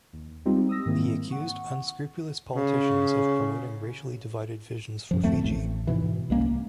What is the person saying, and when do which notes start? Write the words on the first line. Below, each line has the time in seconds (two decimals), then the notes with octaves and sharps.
He accused "unscrupulous politicians" of promoting racially divided visions for Fiji.
0.13 D#2
0.46 G3 G#3 C4 D#4 F4 G4
0.69 D#6 E6 A#6
0.86 G#2 D#3 A#3 C4 E4
1.30 F#5 C#6
2.55 C#3
5.11 F#2 F3
5.23 D2 D#3 A3 C4
5.44 A1
5.87 G#2 B2 E3
6.30 C2 G#3 A#3 C#4